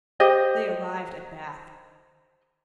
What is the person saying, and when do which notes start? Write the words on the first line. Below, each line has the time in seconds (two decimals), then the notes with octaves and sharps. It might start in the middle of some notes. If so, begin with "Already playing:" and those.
They arrived at Bath.
0.20 G4 C5 D#5